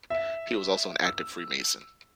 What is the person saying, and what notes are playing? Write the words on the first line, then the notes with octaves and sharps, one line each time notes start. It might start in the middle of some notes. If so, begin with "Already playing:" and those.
He was also an active Freemason.
E5
E6